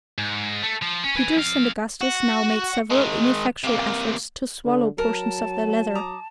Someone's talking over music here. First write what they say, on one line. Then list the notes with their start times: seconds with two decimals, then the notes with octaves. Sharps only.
Peters and Augustus now made several ineffectual efforts to swallow portions of the leather.
0.18 G#2
0.62 A3
0.82 F3
1.04 C#4
1.16 B4 G#5
1.36 F2 F5
2.01 F#4
2.91 D#3 G#3
3.64 C3 A#3
4.65 D3
4.98 F#3 A#4 A5
5.95 A#5 D6 D#6